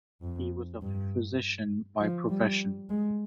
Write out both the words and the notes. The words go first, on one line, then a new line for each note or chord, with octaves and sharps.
He was a physician by profession.
F2
G2
F3
G3
G#3